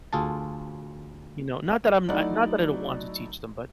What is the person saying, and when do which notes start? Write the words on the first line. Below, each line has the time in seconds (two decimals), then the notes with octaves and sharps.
You know, not that I'm I not that I don't want to teach them, but
0.13 D2 F4 G#4 A4 A5
2.09 F#3 A3 D#4 E4 F#4 D5